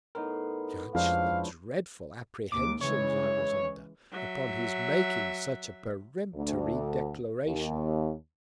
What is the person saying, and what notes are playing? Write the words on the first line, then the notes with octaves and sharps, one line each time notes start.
Judge the dreadful Apprehensions I was under, upon his making such a peremptory Declaration.
A2 B3 D#4 A#4 C6
F2 F3 G#3 C#4 D4 E4 C5 F5
D#2 D6
C#3 E3 G#3 C#5
F#3 E5
D2
D#2